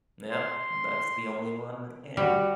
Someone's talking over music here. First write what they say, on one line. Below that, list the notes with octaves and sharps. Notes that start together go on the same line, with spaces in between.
Yep, that's the only one that can.
C6
G3 F#4